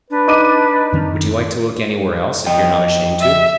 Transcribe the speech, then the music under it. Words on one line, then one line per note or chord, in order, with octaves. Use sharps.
"Would you like to look anywhere else if you're not ashamed to?"
D4 B4
D#4 D6 D#7
F#2 D#3 C4
F2 D#5 G5
E5